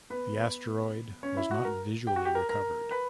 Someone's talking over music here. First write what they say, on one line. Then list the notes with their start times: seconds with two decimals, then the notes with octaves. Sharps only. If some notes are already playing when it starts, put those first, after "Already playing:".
The asteroid was not visually recovered.
0.10 B3 B4
1.23 C#4 C#5
1.37 E4 E5
1.51 F#4 F#5
1.65 A#4 A#5
2.07 G4 G5
2.16 F#4 F#5
2.25 G4 G5
2.35 A#4 A#5
2.49 A#4 A#5
2.91 B4 B5